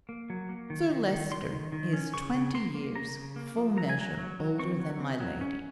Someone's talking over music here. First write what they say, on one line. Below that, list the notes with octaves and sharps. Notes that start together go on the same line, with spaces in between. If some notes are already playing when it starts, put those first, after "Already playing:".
Sir Leicester is twenty years, full measure, older than my Lady.
A#3
F#3
A#3
D#3
D#3
D#3
D#3 C6
D#3
D#3
C#4
C#3 C#6
C#3
A#3 C6
A#3
C#3 A#5
C#3
A#3
F3
F#3 A#5
G#5
F#3 A#5
F#3
F#3
C4 C#6
F#3
C4
F#3
C#4